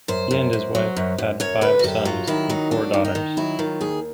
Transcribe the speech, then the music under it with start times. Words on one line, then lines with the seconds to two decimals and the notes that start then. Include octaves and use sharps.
He and his wife have five sons and four daughters.
0.08 F#2 C5
0.31 F#2
0.53 F#2
0.75 F#3
0.97 F#2
1.18 F#2
1.40 F#2 C#5
1.61 D3 B4
1.79 F#4
1.84 F#2 G4
2.05 F#3 F4
2.27 D#3 E4
2.50 F#3 D#4
2.71 D#2 D4
2.93 D#3
3.05 D#4
3.15 D#3
3.37 F#3 E4
3.59 D#3 F4
3.81 D#2 G#4